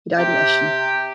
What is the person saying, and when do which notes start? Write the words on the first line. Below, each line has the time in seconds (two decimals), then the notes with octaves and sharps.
He died in Eschen.
0.18 C3 G4